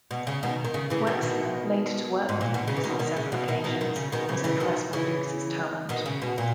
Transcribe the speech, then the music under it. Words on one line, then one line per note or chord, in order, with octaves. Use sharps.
Wexler, later to work with Lucas on several occasions, was impressed by Lucas' talent.
B2
C#3
B2 D#3
D#3
C#3
C#3 E3
B2 D#3
B2 D#3
G#2
A#2
B2
C#3
E3
B2 D#3
B2 D#3
C#3
B2
B2 D#3
B2 D#3
B2 D#3
C#3
B2 D#3
C#3 E3
C#3 E3
B2 D#3
C#3 E3
B2 D#3
C#3
B2
A#2